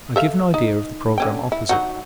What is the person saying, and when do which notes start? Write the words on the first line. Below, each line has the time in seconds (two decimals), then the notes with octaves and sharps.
I give an idea of the programme opposite.
0.16 A4 E5 F5
0.54 D#4
1.18 D3 C#4 G5
1.52 E4
1.69 F#3 D#4 F#4